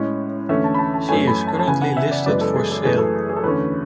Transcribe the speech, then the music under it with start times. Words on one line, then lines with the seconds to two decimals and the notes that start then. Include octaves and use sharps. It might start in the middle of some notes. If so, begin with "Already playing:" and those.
She is currently listed for sale.
Already playing: A2 G#3 C#4
0.49 E2 D3 A3 C#4 E5
0.64 A5
0.74 B5
0.78 A5
0.94 A5
1.08 F#2 E3 A3 C#4 G#5
1.28 B5
1.47 A5
1.59 A5
1.67 C#3 E3 B3 G#5
1.82 F#5
1.97 E5
2.11 D5
2.26 F#2 E3 G#3 B3 D5
2.41 A4
2.56 G#4
2.70 A4
2.84 F#2 E3 A3 G#4
2.98 A4
3.29 G#4
3.36 A4
3.44 E2 D3 A3 C#4 B4